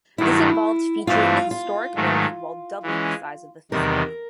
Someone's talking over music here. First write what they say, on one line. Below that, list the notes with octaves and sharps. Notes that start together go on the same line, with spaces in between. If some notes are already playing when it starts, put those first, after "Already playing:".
This involved featuring the historic building while doubling the size of the facility.
G2 D#3 F#3 A3 E4
G2 E3 A3 C4 F4
F4
G#2 D#3 F#3 A3
E3 G#3 C#4
E2 C3 D#3 G3 A#4